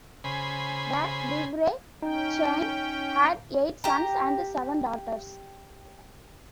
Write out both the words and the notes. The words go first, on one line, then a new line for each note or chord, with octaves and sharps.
The "Divrei Chaim" had eight sons and seven daughters.
C#3 C5 G#5 B5
C#4 D#4 G5
G4 A#5